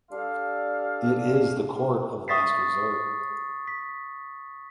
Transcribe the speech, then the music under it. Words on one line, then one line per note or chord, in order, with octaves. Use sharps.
It is the court of last resort.
G3 D4 A4 F5
C#6 D#6 A6 B6 C7
B6